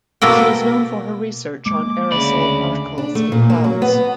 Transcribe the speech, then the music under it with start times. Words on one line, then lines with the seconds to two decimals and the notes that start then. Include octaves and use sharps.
She is known for her research on aerosol particles in clouds.
0.22 B2 A3 A#3 E4 G5
1.66 G#3 A#3 D6
2.12 D2 C#3 D5 B5
2.98 D4
3.15 A3
3.32 A#2
3.50 A#3
3.64 F#3
3.82 B3